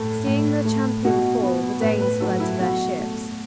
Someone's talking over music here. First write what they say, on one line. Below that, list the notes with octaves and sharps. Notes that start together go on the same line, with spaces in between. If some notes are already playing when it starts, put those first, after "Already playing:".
Seeing their champion fall, the Danes fled to their ships.
Already playing: A2 A3 A4
A2
A3
B2 F#4
B3
A2 B4
B4
F#3 A3 A4
E4
B2 F#4
A3